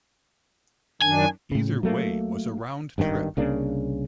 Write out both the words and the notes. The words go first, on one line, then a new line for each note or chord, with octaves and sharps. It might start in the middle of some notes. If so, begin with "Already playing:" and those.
Either way was a round trip.
F#2 D#3 D4 G#5
A2 C#3
F#3 A3 A#3
G#1 G2 D3 D#3
C2 C#3 A#3 D4